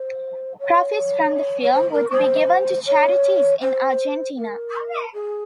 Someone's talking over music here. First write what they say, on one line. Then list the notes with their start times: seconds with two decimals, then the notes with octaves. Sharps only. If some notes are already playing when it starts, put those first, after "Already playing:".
Profits from the film would be given to charities in Argentina.
Already playing: C5
0.60 C#5
1.62 C#5
1.73 C5
1.92 A#4
2.11 C5
2.86 C#5
3.62 C5
4.37 A#4
5.13 G#4